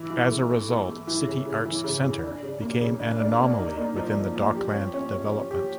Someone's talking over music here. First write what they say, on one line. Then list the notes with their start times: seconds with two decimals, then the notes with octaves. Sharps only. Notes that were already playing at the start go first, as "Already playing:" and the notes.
As a result, City Arts Centre became an anomaly within the dockland development.
Already playing: E3
0.10 E3
0.30 A3
0.50 A3
0.69 A3
0.88 A3
1.07 E3
1.26 C#3
1.46 C#3
1.65 E3
1.84 C#3
2.04 C#3
2.24 D4
2.42 C#3
2.62 A#3
2.81 C#3
3.00 D4
3.20 D4
3.39 A#3
3.58 D#4
3.78 A#3
3.96 F3
4.16 F3
4.35 F3
4.55 G4
4.73 C#4
4.94 C#4
5.12 C#4
5.32 C#4
5.51 G4